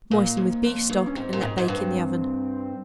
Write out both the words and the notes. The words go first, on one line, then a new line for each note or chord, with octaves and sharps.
Moisten with beef-stock and let bake in the oven.
A#2 A#3
G#2
F2
G2
C#4
G#2 C4
A#2
G#2
G#2
G2 C4